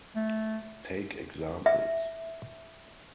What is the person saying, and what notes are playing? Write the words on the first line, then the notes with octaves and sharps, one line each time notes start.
Take examples.
A3
E5